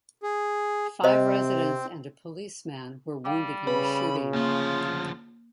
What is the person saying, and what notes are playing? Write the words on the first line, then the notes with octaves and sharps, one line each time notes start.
Five residents and a policeman were wounded in the shooting.
G#4
C3 C4 C5 D#5
G3 F5 G5 D6
C#3 B4 B5
D2 F3 A#3 F4